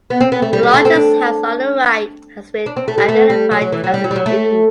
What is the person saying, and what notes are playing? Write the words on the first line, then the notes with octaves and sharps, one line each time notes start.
The largest house on the right has been identified as an inn.
B3
C4
B3
A3
G3
G3
A3
C4
D4
D4
C4
A3
G3
A3
G3
F#3
F#3
E3
F#3
G3
F#3
G3
F#3
A3